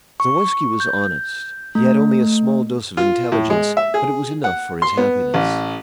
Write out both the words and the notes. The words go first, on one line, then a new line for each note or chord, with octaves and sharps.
Zawoiski was honest, he had only a small dose of intelligence, but it was enough for his happiness.
C#6
G6
A3
F4
A2
G#3
E5
G#4
F#5
C6
B3
A1